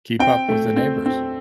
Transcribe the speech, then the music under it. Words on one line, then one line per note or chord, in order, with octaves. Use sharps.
keep up with the neighbors.
C4 G5
A3
C4
C4